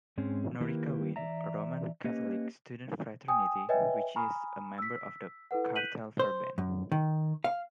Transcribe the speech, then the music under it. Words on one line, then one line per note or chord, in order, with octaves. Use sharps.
Norica Wien, a Roman Catholic student fraternity, which is a member of the Cartellverband.
G#2 G#3 C4 C#4
D#3 A#3 E4 G4 A#4 B4
E3 D5 E5 A#5
A#3 C#4 G4 B4 D#5
G5 G#5 D#6
B4 C#5 D#5 E5 G5 G#5
G#5 A#5 B5 C#6 D#6 F6
E6 B6
E4 A4 B4 F#5
F#6 G6 B6 D#7 F#7
C5
F#2
D#3
F5